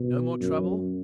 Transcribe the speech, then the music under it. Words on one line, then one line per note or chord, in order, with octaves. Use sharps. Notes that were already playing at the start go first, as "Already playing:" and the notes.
No more trouble?
Already playing: B2
F#2